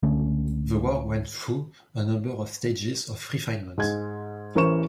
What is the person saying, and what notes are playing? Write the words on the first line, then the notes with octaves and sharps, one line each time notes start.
The work went through a number of stages of refinement.
C#2 D3 A3 C#4
G#2 G#3 G#6
A1 E3 A#4 C5 C#6 E7